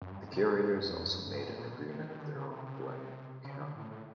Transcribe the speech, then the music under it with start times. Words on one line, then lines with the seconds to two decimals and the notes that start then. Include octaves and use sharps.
The curators also made an agreement with the Earl of Glencairn.
0.02 F#2
0.11 G2
0.22 G#2
0.33 C3
0.49 B2
0.64 A2
0.74 G2
0.85 F2
0.95 E2
1.05 G2
1.11 F#2
1.27 G2
1.36 G#2
1.47 A2
1.58 A#2
1.73 B2
1.88 C3
1.99 D#3
2.10 D#3
2.19 D3
2.35 C#3
2.51 C3
2.66 C3
2.74 C#3
2.81 C3
3.45 C#3
3.60 D3
3.76 A2
3.91 A2